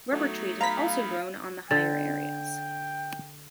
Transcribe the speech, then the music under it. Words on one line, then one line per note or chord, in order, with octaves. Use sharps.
Rubber trees are also grown on the higher areas.
F#3 A3 B3 D#4 F#4
F5 A#5 B5 B6
D3 G5 A6